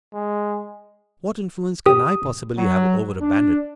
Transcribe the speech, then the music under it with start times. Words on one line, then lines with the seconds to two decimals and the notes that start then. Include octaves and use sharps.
"What influence can I possibly have over a bandit?"
0.14 G#3
1.86 G4 D#6
2.56 F#3
3.19 D4